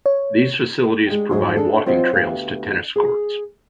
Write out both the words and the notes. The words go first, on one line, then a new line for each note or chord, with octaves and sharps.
These facilities provide walking trails to tennis courts.
C#5
G#3 D4 G4
D2 G#2 F#3 G#3 D#4 G#4
D4 G#4 A4
F#3 C4 F4 C#5 D#5 F#5
D2 E3 B3 G4 F5
G#4